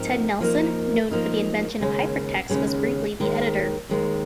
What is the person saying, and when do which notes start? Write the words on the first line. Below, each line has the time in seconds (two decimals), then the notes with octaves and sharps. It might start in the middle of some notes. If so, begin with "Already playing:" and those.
Ted Nelson, known for the invention of hypertext, was briefly the editor.
Already playing: G#2 F3 C4 D#4 A#4
0.40 F3 A#3 D#4 A#4
1.11 F3 A#3 D#4 A#4
1.80 D#2 C#3 G#3 C#4
2.50 D#2 C#3 G#3 C#4
3.20 D#2 D#3 G#3
3.89 D#2 D#3 G#3